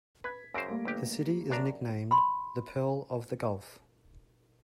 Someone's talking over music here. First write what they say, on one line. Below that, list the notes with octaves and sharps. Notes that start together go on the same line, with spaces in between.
The city is nicknamed "The Pearl of the Gulf".
B4 G#6 B6
F#2 C#3 C5 E6 A#6 D7
G3 A3 A#3
G1 G4
F#2 D4 A#5
B5 C6